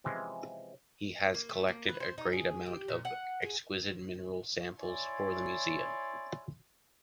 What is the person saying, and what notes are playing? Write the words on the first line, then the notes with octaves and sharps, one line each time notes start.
He has collected a great amount of exquisite mineral samples for the museum.
C3 E3 F3 G#3 C#4
A#3
A3
A#3
B4
C5
D#4
G#4
G4
A#2
F#5
G#4
E4 C#5 D5 G#5 C6